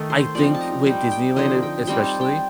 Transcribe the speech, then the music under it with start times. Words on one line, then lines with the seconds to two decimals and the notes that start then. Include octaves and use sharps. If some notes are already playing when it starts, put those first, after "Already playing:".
I think with Disneyland, it especially,
Already playing: D#3 A3 D#4 A4
0.10 C5
0.35 F3 C4 D#4 D5
0.54 A5
0.61 A#5
0.86 G3 C4 D#4 G5
1.11 G5
1.36 D3 F3 C4 D#4 D#5
1.63 G5
1.87 G3 C4 D#4 G5
2.04 A5
2.21 G5